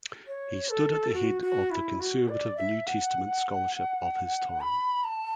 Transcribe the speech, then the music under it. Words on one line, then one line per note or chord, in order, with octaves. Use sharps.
He stood at the head of the conservative New Testament scholarship of his time.
C#5
A4
F#4
F#4
E4
F#4
D5
E5
F#5
B5
A5